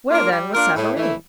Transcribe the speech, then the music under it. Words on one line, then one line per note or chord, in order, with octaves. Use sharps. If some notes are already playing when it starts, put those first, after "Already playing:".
Where, then, was Savareen?
A#3 D4 F4 A#4
G3
A#3 D4 F4 A#4
A2
E3 A3 E4